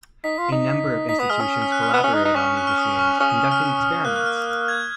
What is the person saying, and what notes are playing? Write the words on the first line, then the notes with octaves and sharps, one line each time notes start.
A number of institutions collaborated on these machines, conducting experiments.
D#4 B6
F4
D#4
D#4 B6
B3 D#6
G#3 F6
C#4 D#6
D#6
F6
F#6
F6
B3 D#6
C#4
D#4
D#4
C#4 C#6
F#6
F6
D#6
C#6
C#4 D#6
D#6
D#6
F6
A#3 F#6
F#6
F6
G#6